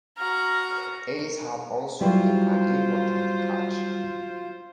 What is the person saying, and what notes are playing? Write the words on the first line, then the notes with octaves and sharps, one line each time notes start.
Eels have also been an important catch.
F#4 A#5 F6
F#3 G3 E4 F4 G4 C5